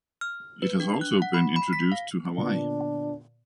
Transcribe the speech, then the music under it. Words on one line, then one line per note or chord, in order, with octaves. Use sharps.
It has also been introduced to Hawaii.
F6
B4
D4
F#6
F#5
B5
B5
B6
F5
A#2 D3 B3 D4